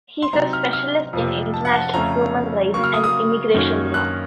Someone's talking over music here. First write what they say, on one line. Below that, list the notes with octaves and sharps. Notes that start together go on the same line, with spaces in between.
He is a specialist in international human rights and immigration law.
C6
C3 F#3 C4 D#4 A#5
F6
F6
F2 C3 F3
A5
F#5
A5
F2 C#3 A3 C#4 A#5
C#3 F#3 A#3 C#6
F6
D#6
D#6
F#2 D#3 F#3 A#3 C#4
F#6